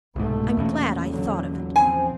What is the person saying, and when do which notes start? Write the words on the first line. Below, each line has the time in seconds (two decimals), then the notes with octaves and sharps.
I'm glad I thought of it.
0.16 C2 G#2 B2 A3
0.57 E2 A#2 C#3
1.08 D3 F#3
1.76 F3 C4 G#5